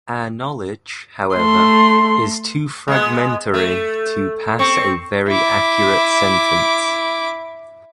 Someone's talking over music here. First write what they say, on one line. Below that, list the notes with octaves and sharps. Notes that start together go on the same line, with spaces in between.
Our knowledge, however, is too fragmentary to pass a very accurate sentence.
A3 C6
G#3 B3
A3
C4 C#6
E4 D6